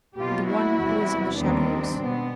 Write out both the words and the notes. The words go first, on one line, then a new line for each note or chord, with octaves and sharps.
The One who is in the shadows.
B2 F#3 A#3 F4 G4
E4 F#4
E2 C3 E3 G3
D#2 D#3 G3 B3 C4 D4
B2 G#3 B3